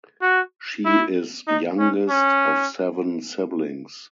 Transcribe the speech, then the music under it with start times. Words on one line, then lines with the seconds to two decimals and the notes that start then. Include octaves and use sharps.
She is youngest of seven siblings.
0.21 F#4
0.85 E4
1.47 D#4
1.79 C#4
2.09 C#4